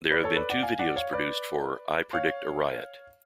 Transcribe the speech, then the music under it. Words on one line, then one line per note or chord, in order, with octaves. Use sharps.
There have been two videos produced for "I Predict a Riot".
B4 D5
A4 C#5
B4 D5
D5 F#5
F5 G#5
D5 F#5
C#5 F5
B4 D5
C#5 F5